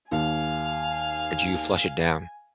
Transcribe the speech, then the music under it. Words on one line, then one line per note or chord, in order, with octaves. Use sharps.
or do you flush it down?
D#2 F5 G#5